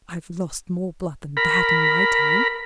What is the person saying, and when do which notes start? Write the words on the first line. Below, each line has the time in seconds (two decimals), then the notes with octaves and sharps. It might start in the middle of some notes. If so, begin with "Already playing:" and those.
I've lost more blood than that in my time!
1.37 A#4 B5